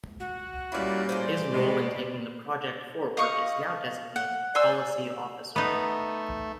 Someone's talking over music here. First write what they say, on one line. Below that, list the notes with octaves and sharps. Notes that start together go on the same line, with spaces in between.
His role in taking the project forward is now designated 'Policy Officer'.
F#4
A#2 G3 A#3 C#4 E4 D5
A2 G#4 C5 D5
B2 G#3 B3
D#5 F5 C#6
F#5
C5 D5 G#5 E6
A3 B3 D#4